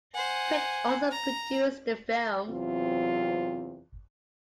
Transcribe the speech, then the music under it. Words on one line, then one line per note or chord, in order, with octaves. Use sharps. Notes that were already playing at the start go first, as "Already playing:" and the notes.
Pitt also produced the film.
C5 F#5 G#5
A#5
E2 C3 F#3 C4 F4